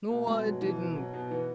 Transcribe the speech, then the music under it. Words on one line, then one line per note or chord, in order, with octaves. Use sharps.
No, I didn't.
B2 A3
B2 G#3
B2 F#3
B2 E3
B2
B2 F#3
B2
E3 B3